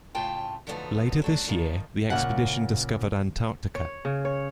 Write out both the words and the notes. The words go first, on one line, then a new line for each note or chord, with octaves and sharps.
Later this year the expedition discovered Antarctica.
A2 C#3 F4 G5 A5
D3 F3 F#3 A3 B3 D#4
F#3 A3 D4
D#3 F3
A#2 C#3 F#5
C#5
C#3
C#5